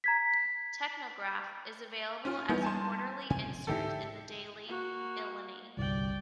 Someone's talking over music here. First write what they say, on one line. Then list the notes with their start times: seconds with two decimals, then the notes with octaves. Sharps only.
"Technograph" is available as a quarterly insert in the "Daily Illini".
0.04 A#5 G#6 B6
2.25 C#4 F4
2.49 E3 G3 G#3 B3 G6
2.62 G#5 A5 C6
3.30 C3 G#5
3.67 G#2 D3 D#3 E4 G4 A4
4.66 A#3 F#4
5.77 G1 C2 D5 G5